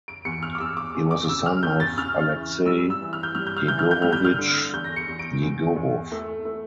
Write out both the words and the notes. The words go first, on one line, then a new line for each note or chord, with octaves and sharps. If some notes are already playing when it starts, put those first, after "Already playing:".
He was the son of Alexei Yegorovich Yegorov.
D7
E2 C#7
F6
D6
E2 E6
D6
E2
D6
C#3 E6
F6
E2 G6
A6
C#3 F6
E3
G3 E6
E6
E3
F6
G6
G3 F6
G6
F6
E3 G6
F6
G6
G3 F6
G6
F6
D3
E2 G6
A#6
C#7
E2
D7
E2
E2
A3
A3